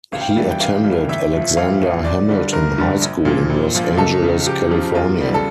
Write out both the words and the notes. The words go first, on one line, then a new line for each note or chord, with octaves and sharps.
He attended Alexander Hamilton High School in Los Angeles, California.
A1 F5
G5
F5
G2 E3 G3
G5
A1 F5
G2 E3 G3
A1 E5
A2 F3
A1 F5
A2 F3
G1 D5
G2 D3 G3
G1 A#4
G2 D3 G3
A#1
A#2 F3
A#1
A#2 F3
C#2 A4
C#3 F3
C#2 G4
C#3 F3
E2 F4
C#3 G3
A4